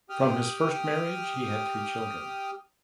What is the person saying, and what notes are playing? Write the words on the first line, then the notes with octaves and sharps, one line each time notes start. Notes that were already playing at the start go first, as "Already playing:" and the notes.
From his first marriage he had three children.
G4 G5 D#6 F6